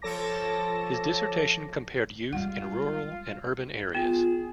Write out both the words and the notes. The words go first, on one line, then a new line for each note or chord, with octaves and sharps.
His dissertation compared youth in rural and urban areas.
F3 A4 C#5 A5 D6 A#6
G3 G#3 F4 F#5
B3 F4 G#4